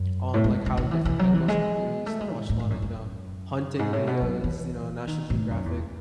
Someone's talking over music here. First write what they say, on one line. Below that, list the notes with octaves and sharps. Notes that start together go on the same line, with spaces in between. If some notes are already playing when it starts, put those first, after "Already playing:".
on, like, how different animals were produced, I watched a lotta, you know, hunting videos, you know, National Geographic,
Already playing: F#2
A2
G#3
D#3
D#3
E3
E3
F#3
E3
G#3
A3
G#3
A2
A2
G#2
F#2
F#2
G#2
A2
B2
F#3
E3
D#3
A2
F#2
E2